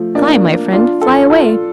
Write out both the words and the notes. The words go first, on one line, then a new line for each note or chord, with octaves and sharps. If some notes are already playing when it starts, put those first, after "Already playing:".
Fly, my friend; fly away.
Already playing: F3 A3
A#3 D4
D4 F4
F4 A4
F4 A4